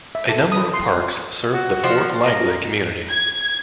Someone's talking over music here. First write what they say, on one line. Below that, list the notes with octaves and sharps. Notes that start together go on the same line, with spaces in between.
A number of parks serve the Fort Langley community.
E5
A4
D#6
C6
F#4
F3
A#4
G#6